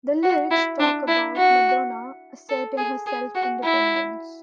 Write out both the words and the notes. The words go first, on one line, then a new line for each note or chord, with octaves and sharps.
The lyrics talk about Madonna asserting her self-independence.
F#4
E4
D4
E4
F#4
A4
G#4
G#4
F#4
E4